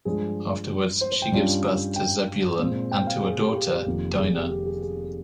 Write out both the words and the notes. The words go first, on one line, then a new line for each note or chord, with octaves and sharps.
Afterwards she gives birth to Zebulun and to a daughter, Dinah.
G2 F3 G#3 G#4
C5
C5
G5
G2 G3 C#4 F4
G5
A#2 G#3 C4
G5
F5
G#4
G4
G4
F1 F2 D#3 A#3 F4
G#4
G4
G4
G#4
G#4